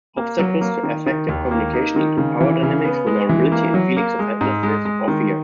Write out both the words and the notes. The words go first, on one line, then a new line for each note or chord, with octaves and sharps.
Obstacles to effective communication include power dynamics, vulnerability, and feelings of helplessness or fear.
A#3
F#3
A#3
D#3
D#3
D#2
A#3
D#4
D#3
C#3
E3
C#3
B3
G#3
E3
A#3
F#3
A#3
G#3
G#2
G#3
G#3
D#3